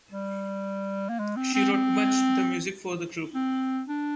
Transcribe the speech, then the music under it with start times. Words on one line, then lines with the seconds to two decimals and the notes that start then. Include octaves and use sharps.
She wrote much the music for the group.
0.11 G3
1.09 A#3
1.19 G#3
1.36 C4
1.54 C4
1.73 C4
3.34 C4
3.88 D4